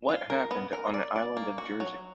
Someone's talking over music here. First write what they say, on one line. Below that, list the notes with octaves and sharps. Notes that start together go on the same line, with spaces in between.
What Happened on the Island of Jersey.
F4
A#4
B3
A#4
D5
D5
A#3
F#4
F#3